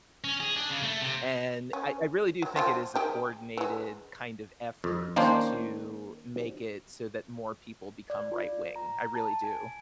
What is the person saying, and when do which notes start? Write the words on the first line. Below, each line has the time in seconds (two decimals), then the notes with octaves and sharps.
and I I really do think it is a coordinated kind of effort to make it so that more people become right wing. I really do.
0.24 C#4
0.40 G#4
0.56 D4
0.70 C#3
0.83 A3
1.02 C3
1.73 C#4
2.42 F#3
2.56 F3 C4 F4
2.95 D#3 G4 G#4
3.57 E3 G#3
4.84 F2
5.16 D#3 A#3 C#4 D4 C5
8.10 D5
8.32 F4
8.76 A#5
9.15 A5
9.44 G#5